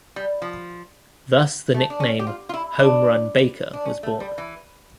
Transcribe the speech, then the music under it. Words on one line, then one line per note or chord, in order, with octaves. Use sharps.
Thus the nickname "Home Run" Baker was born.
G3
F3
A3
D4
C#4
G4
F4
F4
E4
D4
D4
C#4
A3
G3
E3